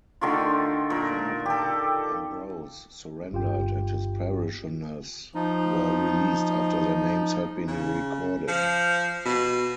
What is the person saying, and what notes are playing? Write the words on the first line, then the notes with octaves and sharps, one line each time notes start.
Father Ambrose surrendered, and his parishioners were released after their names had been recorded.
D3 D#3 A3 F4
A#2 A#4
G4 A4
G1 G2 F4 G4 G5
F3 D#4
C#3
F3
B2